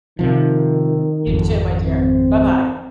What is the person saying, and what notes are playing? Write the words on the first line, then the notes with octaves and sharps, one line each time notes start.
You, too, my dear. Bye bye.
C3 D#3 F3
G#1 F2
C4